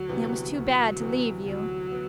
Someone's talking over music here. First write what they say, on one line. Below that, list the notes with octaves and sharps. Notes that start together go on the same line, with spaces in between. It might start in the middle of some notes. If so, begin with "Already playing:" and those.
It was too bad to leave you.
Already playing: D2 F#3
C3 E3 G3 B3
D2 F#3
C3 E3 G3 B3
D2 F#3
B3